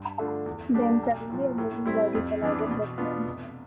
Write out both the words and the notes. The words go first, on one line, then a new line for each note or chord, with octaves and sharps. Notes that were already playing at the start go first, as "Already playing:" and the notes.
Then suddenly a moving body collided with him.
Already playing: G2
D3 A3 D4 F4
E2
D3 G3 D4 G4
B1
A2 F3
A2
G3 C4 E4
F2
E3 B3 D4
B2
B3 D4 F4
F1